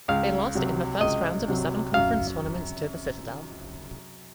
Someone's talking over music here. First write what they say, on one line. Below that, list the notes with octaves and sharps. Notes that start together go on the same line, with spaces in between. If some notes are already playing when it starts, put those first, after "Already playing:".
They lost in the first round of the Southern Conference tournament to The Citadel.
C#2 F5
C3 F#3
C#2 D#5
C3 F#3
F#2 F5